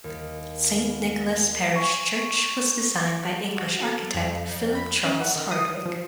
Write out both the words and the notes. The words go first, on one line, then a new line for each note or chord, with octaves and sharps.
Saint Nicholas Parish Church was designed by English architect Philip Charles Hardwick.
D#2
B3
G#5 C#6
F#4
A4
F2
F2
B5
C#4
F#5
D#3
D#6
F3